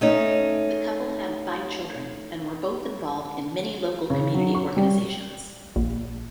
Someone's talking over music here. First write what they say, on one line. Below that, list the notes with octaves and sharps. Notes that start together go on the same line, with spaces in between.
The couple had five children and were both involved in many local community organisations.
A3 C#4 D#4
C#3
F#3
C#6
G3
A#1